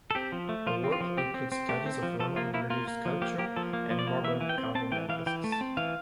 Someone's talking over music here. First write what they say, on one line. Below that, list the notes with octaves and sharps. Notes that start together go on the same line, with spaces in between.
Her work includes studies of Roman relief sculpture and marble carving analysis.
A4
C4 G4
F3
A3
F3 F4
C4
F4
F3
C4 G4
C4
C4
A3 G4
C4
F3
F3 A4
A#3 F4
A#3 E4
A#3 F4
A#3
F3
A#3 G4
A#3 G4
F3 A4
A#3
F3
D5
A#3
E3 E5
E3
G5
C4
C4 A5
E3 G5
E3 F5
E3 G5
A3
A5
C4
E3 F5